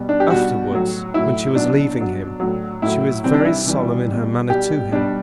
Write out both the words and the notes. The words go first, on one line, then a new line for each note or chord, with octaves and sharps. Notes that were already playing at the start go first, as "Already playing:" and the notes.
Afterwards, when she was leaving him, she was very solemn in her manner to him.
Already playing: B2 G3
D4
G4
B2 G3 F#4
A2 F#3
A2 F#3 E4
B2 F#3 D4
B2 F#3
A2 F#3
A2 F#3 E4
C3 E3 G3 C4
D4
E4
C3 E3 G3
B2 G3
B2 G3 G4
B2 G3 D4